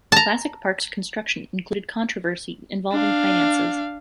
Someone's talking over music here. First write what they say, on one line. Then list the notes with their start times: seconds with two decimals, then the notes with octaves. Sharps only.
Classic Park's construction included controversy involving finances.
0.12 A5 A#5
2.92 D4 F5